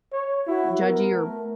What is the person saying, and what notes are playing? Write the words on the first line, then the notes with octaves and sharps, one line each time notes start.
judgy or
C#5
E4 F#4
B3 A#4
A3